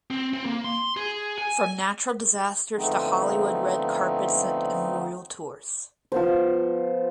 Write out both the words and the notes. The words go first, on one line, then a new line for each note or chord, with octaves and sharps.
From natural disasters to Hollywood red carpets and royal tours.
C4
C4
A#3
C6
G#4
G#5
D3 F3 A3 B3 C4 D#4
F3 B3 C5